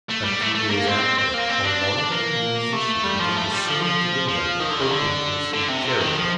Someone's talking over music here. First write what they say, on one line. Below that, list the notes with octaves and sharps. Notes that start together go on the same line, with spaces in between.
A few days after, a wandering Musician began to sing at the window, hoping to receive charity.
A3
G3
A3
A3
A#3
C4
C4
A#3
C4
D4
A#3
A3
G3
F3
A3
G3
F3
F3
F3
D#3
D3
D#3
D3
D3
C3
C3
D#3
F3